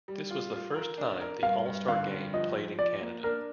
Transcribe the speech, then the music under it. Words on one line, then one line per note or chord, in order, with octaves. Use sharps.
This was the first time the All-Star game played in Canada.
G3
F4
F4
A#4
D4
A#4
G2 F5
G2
D3 F5
G2
F3 D#5
F3
F3 D5
A#3
D4 A#4